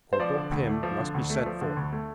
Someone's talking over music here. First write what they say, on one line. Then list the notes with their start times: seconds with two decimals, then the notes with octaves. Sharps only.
Corporal Pim must be sent for.
0.13 C5
0.20 F3 D5
0.36 D3
0.51 D2
0.67 A3
0.83 F3
0.98 D3
1.14 D2
1.30 A3
1.46 F3
1.61 D3
1.77 D2
1.92 A3